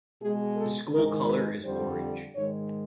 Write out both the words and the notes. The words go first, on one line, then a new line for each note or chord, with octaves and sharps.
The school color is orange.
B2 G#3 G#4
A4
G#2 D#3 G#3 A#4
B4
F2 D3 G3 C5
G#2 D#3 G#3 C#5